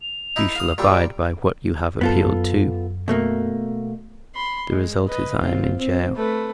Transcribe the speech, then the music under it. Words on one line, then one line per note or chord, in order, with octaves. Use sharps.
You shall abide by what you have appealed to.' The result is I am in gaol.
F7
D#4 E4
F5 D#6
A#2 G3 G5 E6
D7
F#2 B3 F4 A4
B2 A3 A#3
B5 C6
G#3
B4 D#5
C4 F4
C4
A3 B4